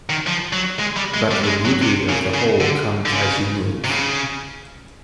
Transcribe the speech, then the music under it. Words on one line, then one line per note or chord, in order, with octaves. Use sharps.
But the beauty of the whole comes as you move.
D#3
F3
F#3
G#3
G3
G#3
G3
A3
G#3
F#3
C3
C#3
C#3
D3
D3
C#3
C3
C#3